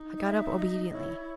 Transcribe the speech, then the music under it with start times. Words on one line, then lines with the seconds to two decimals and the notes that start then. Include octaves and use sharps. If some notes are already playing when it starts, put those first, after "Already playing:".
I got up obediently.
Already playing: D#4
0.18 D#5
0.24 E5
0.58 D#5
0.93 E4 C#5